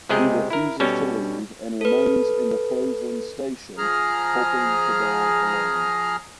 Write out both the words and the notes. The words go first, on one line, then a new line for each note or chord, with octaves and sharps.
He refuses to leave and remains in the frozen station hoping to die alone.
C#2 C3 G#3 G#4 D#5 G5
E4 A#4
B2 G3 C#4 A4
A4 B4
F3 G#4 A#5 F6